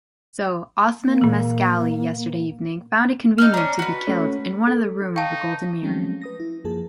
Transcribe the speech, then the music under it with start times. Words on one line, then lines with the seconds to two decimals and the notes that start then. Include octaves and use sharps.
So, Osman Mascali yesterday evening found it convenient to get killed in one of the room of the Golden Mirror.
1.03 A#3
1.21 A#2 E3
3.38 D#4 A4 F6
3.54 C#4 D4 A#5
3.79 F#4 B4
4.07 A3 C#4 C#5
4.67 A4
5.16 D#4 F5 G5 A5 C#6
5.82 F3 F#3 G#3 A3 C4 C#4
6.22 B4 D#6 A#6
6.40 E4
6.64 F#2 F3 A#3 G#4 A5